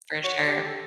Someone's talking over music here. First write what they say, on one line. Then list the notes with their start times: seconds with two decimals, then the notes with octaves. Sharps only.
for sure.
0.24 F#4 C#5
0.48 G4
0.67 A4